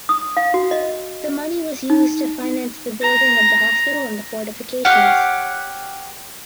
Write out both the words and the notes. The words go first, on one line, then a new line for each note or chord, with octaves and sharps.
The money was used to finance the building of the hospital and the fortifications.
D#6
F5
F#4
D#5
D#4
A#5
G4 C#5 F5 F#5